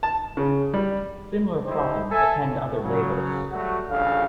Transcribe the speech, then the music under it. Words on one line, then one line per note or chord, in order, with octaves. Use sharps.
Similar problems attend other labels.
A5
C#3
G3
D#4 E4 G4 C5
A4 E5 G#5
A2
C#3 F#3
F#3 G3 A3 F#4
A#1 G2 C#3 F4 A4 F5